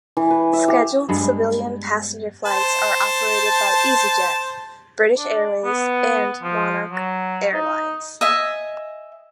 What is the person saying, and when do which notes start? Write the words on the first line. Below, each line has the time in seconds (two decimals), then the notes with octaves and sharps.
Scheduled civilian passenger flights are operated by EasyJet, British Airways and Monarch Airlines.
0.17 E3
0.31 B4
0.53 E5
0.68 G4
1.08 G2 G#3 B3
2.46 C5 A5
5.18 D4
5.64 B3
6.43 F3
6.92 F#3
7.53 D#4
8.21 D#5 E5 G#5